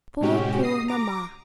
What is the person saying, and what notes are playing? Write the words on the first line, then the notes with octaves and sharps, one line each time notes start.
Poor, poor mamma!
A2 C3 G#3 C#4 F#4 G4
D#6 A#6 C7
A#5 D6 A#6